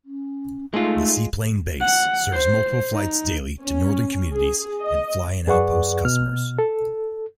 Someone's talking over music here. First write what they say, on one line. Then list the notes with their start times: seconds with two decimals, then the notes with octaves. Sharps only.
The seaplane base serves multiple flights daily to northern communities and fly-in outpost customers.
0.05 C#4
0.74 G#3 A3 D#4 F4
1.81 F#5
2.33 C5
2.93 D#4
3.63 C#4
4.32 G#4
4.83 D#5
5.47 F#2 G#4 B4 D5 F#5 C#6
6.05 B2 F6
6.59 A4